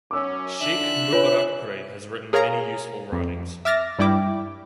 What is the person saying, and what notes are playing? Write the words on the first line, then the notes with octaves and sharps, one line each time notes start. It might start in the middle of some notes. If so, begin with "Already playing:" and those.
Sheikh Mubarakpuri has written many useful writings.
F#2 C#4 D6 E6
D3 D4 E5 F#6
F4 B4 C#5 G#5
G#4 A#4 C#5 F5 A#5
F2
E5 D6 F6 A6 A#6
G2 G3 E4 G5 D6